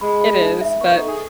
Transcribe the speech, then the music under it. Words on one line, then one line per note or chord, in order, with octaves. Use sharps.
It is. But
G#3 B5
B5
D#4
E5
B3 C#6
D#4
A4
G#4